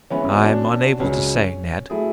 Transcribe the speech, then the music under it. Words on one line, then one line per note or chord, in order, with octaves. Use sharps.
"I'm unable to say, Ned."
E3 G#3 B3 C#4
C#4
F#4
D4
C#2 C#3 F#3 C#4
F#3 A3 E4 G#4